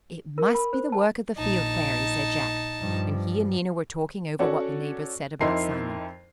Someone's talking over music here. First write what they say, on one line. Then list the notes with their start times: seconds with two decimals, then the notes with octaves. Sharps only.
"It must be the work of the Field Fairy," said Jack when he and Nina were talking over what the neighbors said about Simon.
0.38 A#4
0.55 B5
0.73 C5
0.92 A5
1.37 A#1 D#4 A5
2.80 G2 F3
4.39 C#4 F#4 A4 D5 F#5
5.41 F2 D#4 E4 A#4 C6 C7